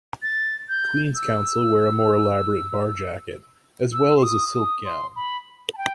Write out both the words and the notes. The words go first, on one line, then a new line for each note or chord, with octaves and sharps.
Queen's Counsel wear a more elaborate bar jacket as well as a silk gown.
A6
G6
E6
E6
C6
D#6
D#6
C6
B5
A5
G5